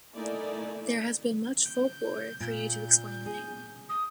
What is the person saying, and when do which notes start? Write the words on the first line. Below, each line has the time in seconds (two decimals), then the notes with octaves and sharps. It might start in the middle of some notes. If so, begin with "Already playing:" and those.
There has been much folklore created to explain the name.
0.14 A3 A#3 D#4 E4 D5 G#5
1.65 G6
2.40 A#2 G6
3.26 G#4
3.89 D#6